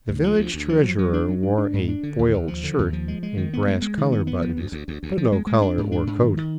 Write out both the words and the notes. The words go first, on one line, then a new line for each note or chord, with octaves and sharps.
The village treasurer wore a "boiled shirt" and brass collar-buttons, but no collar or coat.
D2
F3
D2
D2
F3
F#3
F#3
D4
F#3
D4
D4
G#2
D4
D3
D#2
D#2
F3
D3
D#2
F3
G#3
G#3
D#3
B3
G#3
G#3
D#3
B3
B3
F3
D2
D2
D2
D2
F3
G#3
G#3
D4
G#2
D4
G#2
D#3
D#3